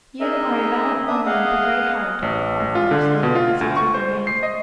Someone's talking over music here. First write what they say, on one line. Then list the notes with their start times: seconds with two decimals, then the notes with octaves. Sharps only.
"You are a valiant woman with a great heart," my father said, as he took her hand.
0.20 D#4 G#4 A#4 D#5 E5
1.08 D4 E5 D#6
1.26 G#4 D#5 F5 F#5
2.22 A1
2.60 A1
2.75 F4
2.91 D3
3.23 B2
3.35 F4
3.61 D2
3.77 C#6
3.94 C5
4.27 C7
4.43 D#5